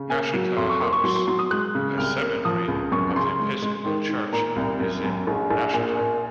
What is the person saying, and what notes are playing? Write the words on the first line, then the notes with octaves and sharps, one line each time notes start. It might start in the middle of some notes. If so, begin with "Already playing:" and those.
Nashotah House, a seminary of The Episcopal Church, is in Nashotah.
Already playing: C#3
A#3 G#5
F#3
F2 C6
C#6
A#3 C6
C#6
F#3 C6
C6
F#3 C6
D#6
G#3 F#6
C#3
C2 F6
A#3
F3 D#6
C#2
F#2 C#6
C#3 C6
G#3
G#3
D#3
D#3
A#2 A#5
C2
F#2
F#2
A#1
A#1
A#2 G#5
A#2